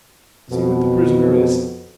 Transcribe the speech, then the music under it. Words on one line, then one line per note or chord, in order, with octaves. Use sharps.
See what the prisoner is.
F2 B2